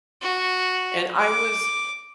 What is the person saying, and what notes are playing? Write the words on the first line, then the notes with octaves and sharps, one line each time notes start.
And I was
F#4
D6